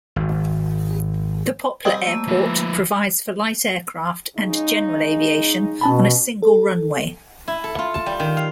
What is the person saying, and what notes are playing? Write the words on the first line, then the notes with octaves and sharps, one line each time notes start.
The Poplar airport provides for light aircraft and general aviation on a single runway.
G#1
G3 C4 D5 D#5 G#5
A3 A#3 E6
F3 B4
C#3 G#3 D#4
B2 C#4 A5 B5
A4
E4
A4
F4
A5
G3
D#3
F5